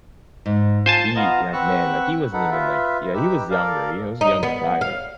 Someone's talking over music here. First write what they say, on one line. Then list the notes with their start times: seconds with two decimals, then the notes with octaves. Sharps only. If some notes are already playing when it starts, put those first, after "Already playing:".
he like, man, like, he wasn't even, like, yeah. He was younger. You know, he was a younger guy. Like,
0.46 G#2
0.86 F4 C5 G#5 A5
1.16 B3 F4 D#5 A#5 D#6
1.53 C4 B4 F#5 C#6 E6 F#6
2.33 D#4 A4 B4 F#5
2.51 F4 B4 E5
3.14 D#4 G4 B4 E6
3.50 A4 A#4 D5 F5
4.21 D#4
4.43 B3
4.81 F5